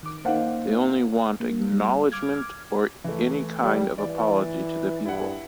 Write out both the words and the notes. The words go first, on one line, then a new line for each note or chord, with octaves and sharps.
They only want "acknowledgement or any kind of apology to the people".
D#3 D6
A#3 D#4 C5 F5 F#5
A#3
G3
D6 F6 G#6
E3 A3
G3
E3 D5
G2 E4 F#5